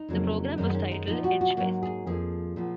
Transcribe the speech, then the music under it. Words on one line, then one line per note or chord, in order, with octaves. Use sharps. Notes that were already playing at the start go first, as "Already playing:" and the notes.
The program was titled Edgefest.
Already playing: D#4
F2 C#3 F#3 A#3
F#2 D#3 G#3 B3 D#4
C#4
D#4
A#2 F3 B3 D#4
F#4
F#4
G#2 F#3 A#3 F#4
G#4
F2 F3 A#3 G#4
A#2 F3 B3